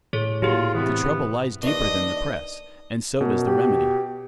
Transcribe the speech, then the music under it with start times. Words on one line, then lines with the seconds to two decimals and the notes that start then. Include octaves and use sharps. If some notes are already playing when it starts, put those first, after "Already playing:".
The trouble lies deeper than the press, and so does the remedy.
0.13 A2 G#4 A4 C#5
0.42 A#2 F#3 E4 F4 G4 G#4
0.74 C3 E3 B3
1.63 D#2 D4 B4 D#5 C6
3.21 F#2 B2
3.47 G4